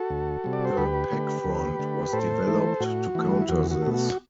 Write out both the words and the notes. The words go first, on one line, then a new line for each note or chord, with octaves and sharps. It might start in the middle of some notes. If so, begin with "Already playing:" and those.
The "pakfront" was developed to counter this.
Already playing: F#4 A4
D2
C3 G3
D5
C5
D2 G4 B4
D3 A3
D2
D3 A3
A2 A4 C5
E3 A3
A2 F#4
E3 A3
E4
E2 F#4
F#4
B2 A3
F#4